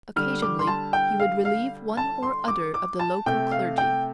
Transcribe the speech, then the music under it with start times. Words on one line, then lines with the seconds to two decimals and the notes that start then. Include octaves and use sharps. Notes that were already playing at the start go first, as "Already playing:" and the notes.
Occasionally he would relieve one or other of the local clergy.
0.16 D3 G3 F6
0.42 D6
0.59 C6
0.67 A5
0.93 G5
1.20 F5
1.45 F5
1.97 A5
2.23 C6
2.48 D6
2.74 D6
2.99 A5
3.26 C3 A3 G5
3.51 F5
3.78 G5